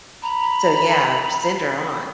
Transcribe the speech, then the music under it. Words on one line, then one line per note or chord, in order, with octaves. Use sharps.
So, yeah, send her on."
A#5 B5